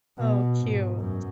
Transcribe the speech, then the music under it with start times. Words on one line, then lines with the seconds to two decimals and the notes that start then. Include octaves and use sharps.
Oh, cute.
0.18 B2
0.59 G#2
0.99 F#2